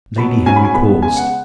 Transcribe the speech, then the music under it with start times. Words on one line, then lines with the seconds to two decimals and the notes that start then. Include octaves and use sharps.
Lady Henry paused.
0.18 B2 F#3 B3 B5
0.46 G#2 F#3 C#4 G#5
0.56 B5
0.65 G#5
0.74 B2 G#3 B3 B5
1.02 C#3 G#3 B3 G#5
1.16 F#5